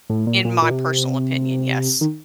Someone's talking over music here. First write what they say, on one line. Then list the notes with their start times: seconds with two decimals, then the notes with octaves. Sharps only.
in my personal opinion, yes.
0.10 A2
0.27 A#2
0.45 A#2
0.62 A#2
0.71 C3
2.01 D#3